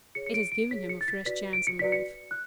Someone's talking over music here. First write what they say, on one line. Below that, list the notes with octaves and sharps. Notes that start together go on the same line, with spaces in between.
"It has given him a fresh chance in life."
G#4 C#5 C#7
C#7
D7
D7
G#4 C#5 B6
C#7
A6
B6
F#4 B4 D5 B6
D7
C#7
F#4 B4 D5 B6
C#7
F#6